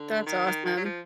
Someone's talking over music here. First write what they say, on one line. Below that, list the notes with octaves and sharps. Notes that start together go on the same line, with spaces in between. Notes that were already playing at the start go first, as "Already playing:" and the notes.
That's awesome.
Already playing: D3
D#3
D#3
D#3
F#3
F3